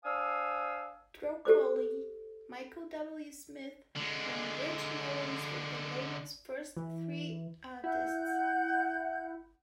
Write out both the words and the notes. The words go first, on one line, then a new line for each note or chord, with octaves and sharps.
Troccoli, Michael W. Smith, and Rich Mullins were the label's first three artists.
D4 C5 F5 G#5 D#6 E6
G4 A4 C5 D6
D3 G#3
E3
E4 F#5 G6